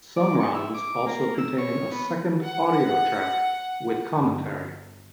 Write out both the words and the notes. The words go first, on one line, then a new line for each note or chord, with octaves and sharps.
Some runs also contain a second audio track with commentary.
D5
C#6
E4
D6
A#3
E6
C#5
B3
F#5
G1